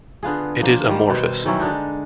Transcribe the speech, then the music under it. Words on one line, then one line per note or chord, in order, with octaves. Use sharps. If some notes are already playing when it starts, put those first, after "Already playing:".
It is amorphous.
D3 B3 F4 G#4
F3 A#3 C5
D#3 G3
B2 C5
D#3 F#3 C#4 E4
D3 G#3 D4 D#4